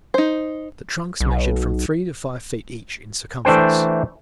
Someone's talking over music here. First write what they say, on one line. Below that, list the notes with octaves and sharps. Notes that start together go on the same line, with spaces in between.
The trunks measured from three to five feet each in circumference.
D#4 C5
B1
E3 A3 D4 C5 G5